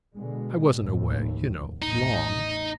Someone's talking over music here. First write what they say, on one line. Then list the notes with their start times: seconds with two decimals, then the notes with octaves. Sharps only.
"I wasn't away, you know, long."
0.15 B2 D3 G#3
0.79 F1 D#2 A2
1.82 A1 E2 D#4